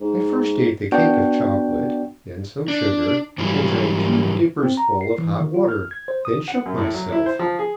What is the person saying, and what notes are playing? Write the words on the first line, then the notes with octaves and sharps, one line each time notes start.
I first ate the cake of chocolate, then some sugar, and drank two dippersful of hot water,--then shook myself.
G#2
B3 D4 F#4 D5 G5
D4
G#2 E3 F#3 G3
C4
A#5
C7
E3
D#3
F4
F6
G#6
C5
D#6
F#5
F#2
A2
F#3
E4
C5
F3
G#4